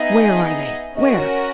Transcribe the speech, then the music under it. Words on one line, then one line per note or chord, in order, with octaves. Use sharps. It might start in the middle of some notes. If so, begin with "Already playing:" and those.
Where are they? Where?
Already playing: B3 D#4 G#4 D#5 E5
C#4 F#4 A#4 D#5
C#5